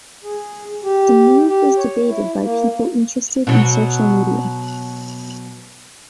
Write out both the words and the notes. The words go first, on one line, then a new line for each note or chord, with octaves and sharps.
The move was debated by people interested in social media.
G#4
G4
G4
C#5
E4
A#3
B2 F#3